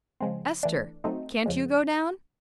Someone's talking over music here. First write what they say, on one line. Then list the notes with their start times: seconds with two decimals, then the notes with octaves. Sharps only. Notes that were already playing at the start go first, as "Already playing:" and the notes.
Ester, can't you go down?
0.20 C#3 F3 G#3 C4
0.63 E3 A3 D4
1.04 F#3 A3 C4 D#4
1.46 F2 C#3 F3 G#3